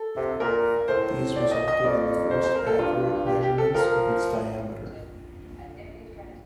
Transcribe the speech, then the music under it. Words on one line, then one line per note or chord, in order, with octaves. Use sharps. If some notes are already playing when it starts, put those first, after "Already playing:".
These resulted in the first accurate measurements of its diameter.
Already playing: A4
C3
A#2 A#4
A2 C5
D5
D#5
D#5
F2 D5
C5
C5
A#4
A4
G2 F4
G4
G4
A4
F3 A#4